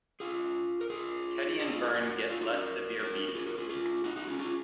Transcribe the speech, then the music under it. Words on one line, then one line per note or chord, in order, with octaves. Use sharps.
Teddy and Vern get less severe beatings.
F4 G#4
A#4
F4 G#4
F4 G#4
F4 G#4
F#4 A#4
F#4 A#4
F4 G#4
D#4 F#4
F#4 A#4
F#4 A#4
F#4
F4 G#4
F#4 A#4
F4 G#4
F4 G#4
D#4 F#4
D#4 F#4
C#4 F4
F4 G#4